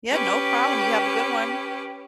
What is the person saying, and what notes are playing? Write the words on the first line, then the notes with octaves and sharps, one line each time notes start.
Yeah, no problem you have a good one.
C#4 G4 B4